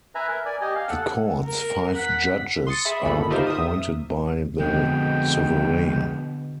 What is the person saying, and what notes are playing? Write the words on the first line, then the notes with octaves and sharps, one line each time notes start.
The Court's five judges are appointed by the Sovereign.
B4 E5 G#5 A#5
A#4
D5 G#5
G4 D#5 G#5
F5
A4 F#5
A#4
F#5 B6
C6 D#6 A6 C#7
G#4 E5 B5 D#6
G1 A#2 D#3 A4 B5
D#4 F4 G4 A#4 C5 E5
E5 D#6
F2 B2 D3 G#3 G5